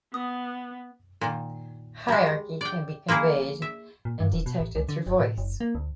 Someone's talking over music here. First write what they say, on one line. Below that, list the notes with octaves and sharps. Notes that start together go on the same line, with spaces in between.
Hierarchy can be conveyed and detected through voice.
B3 D#6
A#2 D#3
G3 G#3
D5 G5
F3 A#3 E4 G#4
E5
A#2
G2
E1
B2
A1
C#2
D3
F#1
A2
F#1
A#3
D2